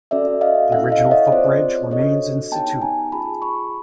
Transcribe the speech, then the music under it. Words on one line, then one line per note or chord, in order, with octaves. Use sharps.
The original footbridge remains in situ.
C#4 F#4 A4 D5 E5
D#5 F5
C#4 E4 A4 E5 F#5
D#5 F5
C#5 D#5
D#5
C4 F4 G#4 C5 D5
D4 F#4 A4 C#5 D#5
B3 D#4 G4 G5 A5
G#5 A#5
C#4 F4 G#4 A5 B5
B5 C#6